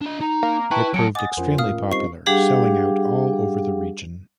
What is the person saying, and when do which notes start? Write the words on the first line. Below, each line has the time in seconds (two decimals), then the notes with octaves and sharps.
It proved extremely popular, selling out all over the region.
0.01 D4 D#5
0.21 D#4 A#5
0.43 A#3
0.71 E4 B4 G5 A5 C#6
0.94 F#3 C4 G#5 A5 C#7 D7
1.15 D#5 F#5 G#5 D6 D#6 A6
1.37 F2 C#4 F4 A#4 C5
1.58 A2 F5 D#6 F6
1.92 G3 C4 D#4 C#6 C7
2.26 G3 D4 G4 G#4 F5 F#5